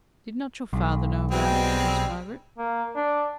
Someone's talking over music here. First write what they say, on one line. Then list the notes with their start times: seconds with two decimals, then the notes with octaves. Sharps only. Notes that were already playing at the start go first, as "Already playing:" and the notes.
'Did not your father know about it?' asked Margaret.
0.73 B1
1.31 B2 G3 G#3 C4
2.58 A#3
2.96 D4